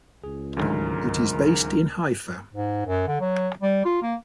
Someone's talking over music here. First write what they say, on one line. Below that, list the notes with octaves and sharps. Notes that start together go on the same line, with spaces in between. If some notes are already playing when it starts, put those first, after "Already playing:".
It is based in Haifa.
C#2 G#4
D2 G#2 D#3 F#3 D4 A#4
G#2
F#2
D3
F#3
G3
F4
A#3